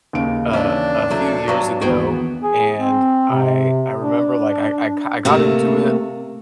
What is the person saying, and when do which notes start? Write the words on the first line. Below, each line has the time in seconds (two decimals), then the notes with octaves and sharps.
uh, a few years ago, and I I remember like, I I I ki I got into it.
0.13 D#2 C#3 D7
0.53 E3 C#4 D4
1.10 F#3 A3
1.48 G2 F#3 B3 C#6
1.82 D#2 E3 B3 F#4 G#4 G5
2.43 G#4
2.79 C4
3.30 C3
4.00 D4
5.25 C3 A3 A#3